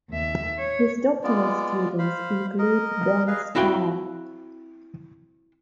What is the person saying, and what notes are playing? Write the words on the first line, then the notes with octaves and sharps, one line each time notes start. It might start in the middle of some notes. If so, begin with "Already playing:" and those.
His doctoral students include Ben Stark.
D#2 E5
C#5
G#3 B3 F4 D5
C5 F5 B5
A#4 D#5
G#4 B4 D#5 F5
C4 E4 F#4 F5 G5